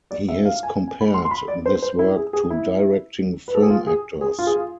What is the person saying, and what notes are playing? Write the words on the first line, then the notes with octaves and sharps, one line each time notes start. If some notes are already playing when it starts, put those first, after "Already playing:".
He has compared this work to directing film actors.
D5
E5
F5
F5
G#5
G#5
B5
C6
C6
B5
D5
C5
C5
E4
G#4
G#4
E4
B4
A4
G#4
F4
G#4
G#4
F4
G#4
F4